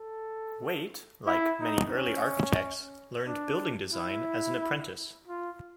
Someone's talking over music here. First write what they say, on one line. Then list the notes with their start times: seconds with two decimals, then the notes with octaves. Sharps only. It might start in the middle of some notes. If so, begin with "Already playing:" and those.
Waite like many early architects, learned building design as an apprentice.
Already playing: A4
1.26 E4
1.60 D#4
1.93 C#4
3.27 D4
3.93 E4
5.27 F4